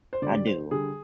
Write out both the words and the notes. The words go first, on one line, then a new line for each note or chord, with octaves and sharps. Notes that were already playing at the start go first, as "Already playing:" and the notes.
I do.
C5
D3 G3 D5
D5
C5
D3 G3 G#4